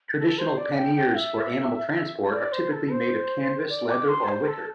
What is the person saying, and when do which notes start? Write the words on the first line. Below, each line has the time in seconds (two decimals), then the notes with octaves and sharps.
Traditional panniers for animal transport are typically made of canvas, leather, or wicker.
0.18 A4
0.38 C5
0.58 D5
0.77 G5
0.96 G5
1.16 E5
1.94 E5
2.32 D5
2.52 C5
2.72 A4
2.92 C5
3.69 D5
3.90 D6
4.08 C6
4.28 C5
4.48 A4